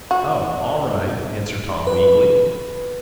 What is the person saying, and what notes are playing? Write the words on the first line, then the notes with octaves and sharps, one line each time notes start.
"Oh--all right," answered Tom, weakly.
F#4
B4